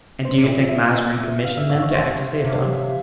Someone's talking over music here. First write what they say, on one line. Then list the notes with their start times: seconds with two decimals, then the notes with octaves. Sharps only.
"And do you think Mazarin commissioned them to act as they have done?"
0.25 C5
0.34 C3 C#5
0.44 A#2 E5
0.69 E5
0.94 E5
1.45 G#2 F5
1.57 G2 E5
1.70 G#2 C#5
1.82 C#5
1.94 C3 C5
2.02 A#2
2.09 C3
2.45 C3